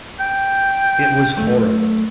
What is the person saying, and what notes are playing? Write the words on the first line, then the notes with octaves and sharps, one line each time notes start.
It was horrible.
G5
F#2 A3